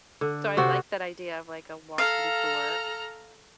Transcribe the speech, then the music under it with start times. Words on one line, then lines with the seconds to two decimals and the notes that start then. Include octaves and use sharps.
So I like that idea of, like, a walking tour
0.21 D3
0.57 C3 F#4 C5
1.98 A4 F5 A#5 F6